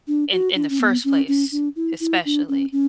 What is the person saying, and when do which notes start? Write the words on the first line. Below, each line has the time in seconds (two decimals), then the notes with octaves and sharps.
in in the first place, especially.
0.07 D4
0.32 F#4
0.55 D4
0.70 C#4
0.80 B3
1.04 C#4
1.28 C#4
1.52 D4
1.76 E4
2.00 E4
2.25 D4
2.49 C#4
2.72 C#4